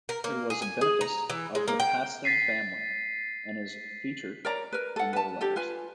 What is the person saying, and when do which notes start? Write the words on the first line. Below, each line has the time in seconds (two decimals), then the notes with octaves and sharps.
It was a benefice of the Paston family and is featured in their letters.
0.09 A#4
0.24 A#3
0.50 G#4
0.62 G#5
0.81 G#4
1.01 A#5
1.30 E3
1.55 G#3
1.68 A#3
1.80 G5
2.24 A6 B6 C7 D#7
4.45 A#4 C#5 D5 A#5
4.73 A#4 B4
4.96 A4 F#5
5.13 B4 A5
5.41 D4 G4 A4
5.56 F4 B4 G#5